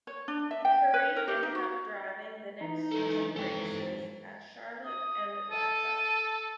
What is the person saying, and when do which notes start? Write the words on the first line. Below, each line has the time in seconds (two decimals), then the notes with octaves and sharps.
Currey ended up driving the next two races at Charlotte and Atlanta.
0.07 C#5
0.28 D4
0.51 E5
0.65 G5
0.94 B4
1.16 A#4
1.28 G4
1.43 D#4
1.55 F#4
2.61 E3 D#4
2.92 G#3 A4
3.36 F2 G#2 A4 G5
4.84 D#6
5.51 A4 D#7